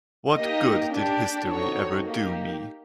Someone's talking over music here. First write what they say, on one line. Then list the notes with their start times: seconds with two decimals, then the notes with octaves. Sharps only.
What good did history ever do me?
0.35 A#3 D#4 G4 D#5
0.91 D4 G4
1.46 C4 D#4 F#4 A4 C#5
2.02 A#3 D#4 G4